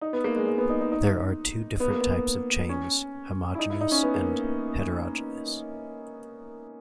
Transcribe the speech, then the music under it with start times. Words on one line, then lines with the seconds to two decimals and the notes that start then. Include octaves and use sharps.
There are two different types of chains: homogeneous and heterogeneous.
0.01 D#4
0.13 B3
0.24 A#3
0.36 G#3
0.47 G#3
0.58 B3
0.69 D#4
0.81 D#4
0.92 D#4
1.80 B3
1.90 A#3
2.01 B3
2.69 C#4
3.55 E4
3.59 D#4
3.70 E4
3.81 D#4
3.91 C#4
4.03 B3
4.15 A#3